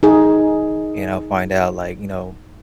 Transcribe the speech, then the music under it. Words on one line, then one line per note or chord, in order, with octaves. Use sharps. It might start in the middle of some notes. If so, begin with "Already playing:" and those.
and I'll find out, like, you know,
D#4 G#4